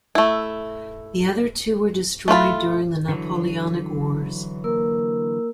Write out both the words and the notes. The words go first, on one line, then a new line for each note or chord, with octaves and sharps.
The other two were destroyed during the Napoleonic Wars.
A3 E4
A3 E4 F4 B5
D3 E3 F#3
A#3 A#4 E6